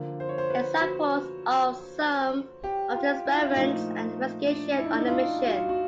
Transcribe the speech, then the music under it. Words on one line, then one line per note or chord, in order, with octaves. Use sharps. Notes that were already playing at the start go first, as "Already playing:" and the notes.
Examples of some of the experiments and investigations on the mission.
Already playing: D3 F3 A#3
C5
C#5
C5
B4
F#4
G4
F4
E4
F4
E4
D4
A#2 F3 A3 D#4
D4
E4
D#4
D4
D#4
F4
F4
F#4
F4
F#4